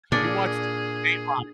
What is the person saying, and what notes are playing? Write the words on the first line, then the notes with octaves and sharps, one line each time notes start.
you watched Dateline.
A#2 D4 G#4